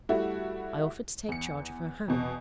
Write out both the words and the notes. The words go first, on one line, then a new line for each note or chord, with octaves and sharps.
I offered to take charge of her home.
G3 A3 E4 F#4
E2 C#7
E2 B2